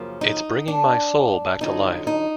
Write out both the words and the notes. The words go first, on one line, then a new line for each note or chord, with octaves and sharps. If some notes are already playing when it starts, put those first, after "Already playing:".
It's bringing my soul back to life.
Already playing: F#2 C#3 F3 A#3
D#4
D4
F2 D3 F#3 D#4
D#4